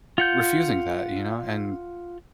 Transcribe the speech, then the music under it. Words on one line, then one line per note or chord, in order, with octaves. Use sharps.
refusing that, you know, and
F4 F#5 G6